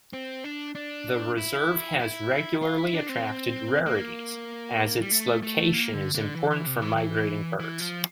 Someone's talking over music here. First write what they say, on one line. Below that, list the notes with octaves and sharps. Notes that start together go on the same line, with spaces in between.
The reserve has regularly attracted rarities, as its location is important for migrating birds.
C4
D4
D4
E4
E4
F4
E4
D4
C4
A#3
G3
A3
A3
A#3
D3
D3
E3
E3
C3
E3
E3
E3
F3